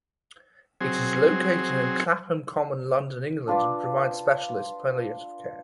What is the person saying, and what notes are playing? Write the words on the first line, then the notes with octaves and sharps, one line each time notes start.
It is located in Clapham Common, London, England and provides specialist palliative care.
F#3 C4 G#4
D4 F4 B4 D5